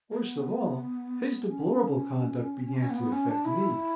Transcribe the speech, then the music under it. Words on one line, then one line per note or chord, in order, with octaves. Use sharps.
Worst of all, his deplorable conduct began to affect me.
A#3
B3
C#4
B3
C#4
A#3
B3
C#4
D4
E4